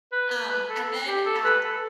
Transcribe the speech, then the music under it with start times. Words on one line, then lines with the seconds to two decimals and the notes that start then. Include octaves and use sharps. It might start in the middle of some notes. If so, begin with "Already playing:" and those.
Um, and then at
0.12 B4
0.30 B4
0.49 B4
0.68 A4
1.06 G4
1.26 A4
1.44 B4
1.64 A4